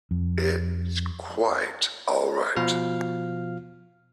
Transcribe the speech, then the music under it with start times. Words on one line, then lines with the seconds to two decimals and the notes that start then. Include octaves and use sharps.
It's quite all right.
0.11 F2
2.56 B2 F3 F5 F6